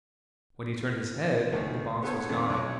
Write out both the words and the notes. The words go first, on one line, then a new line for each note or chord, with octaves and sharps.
When he turned his head, the box was gone.
C#2 D#3 A3 A#3
B3 G#4 A4 C5 C#5
F2 D#3 A3
B1 C#5